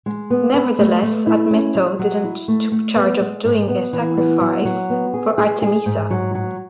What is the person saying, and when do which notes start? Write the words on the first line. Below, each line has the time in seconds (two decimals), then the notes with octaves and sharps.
Nevertheless, Admeto didn’t took charge of doing a sacrifice for Artemisa.
0.06 G#3
0.30 B3
0.54 B4
0.79 A3
1.03 A3
1.27 E4
1.51 C#4
1.75 F#3
1.99 F#3
2.24 E4
2.48 A3
2.72 A3
2.96 B3
3.21 G#3
3.45 G#2
3.68 B3
3.93 E3
4.17 B3
4.41 F#3
4.65 F#3
4.90 B3
5.14 G#4
5.38 G#4
5.62 G#4
5.86 G#2
6.10 F#3
6.35 F#3